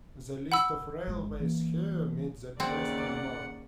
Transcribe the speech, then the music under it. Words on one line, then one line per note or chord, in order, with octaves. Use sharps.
The list of railways here meet that test and more.
F#5 B5 E6
G1 G#3
E3 A#3
D#2 C#3 C4 D5 F#5